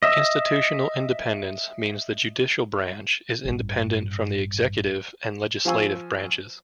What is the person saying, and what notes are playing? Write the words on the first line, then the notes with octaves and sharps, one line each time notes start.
Institutional independence means the judicial branch is independent from the executive and legislative branches.
D#5 E5
A1 G2
F3 C5 F5 G#5 C#6 E6